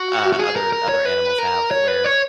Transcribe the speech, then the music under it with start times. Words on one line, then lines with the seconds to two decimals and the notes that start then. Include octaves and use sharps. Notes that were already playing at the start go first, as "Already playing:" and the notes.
uh, other other animals have where,
Already playing: F#4
0.33 F#4
0.39 G#4
0.56 A#4
0.73 A#4
0.89 C#5
1.05 B4
1.38 A#4
1.71 C#5
1.88 B4
2.05 C#5